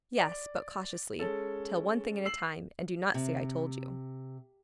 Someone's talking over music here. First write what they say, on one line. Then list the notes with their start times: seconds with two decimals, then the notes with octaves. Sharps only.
"Yes, but cautiously, tell one thing at a time, and do not say I told you."
0.18 D5
1.19 G#3 C#4 A4
2.25 E6 C7 F#7
3.14 C3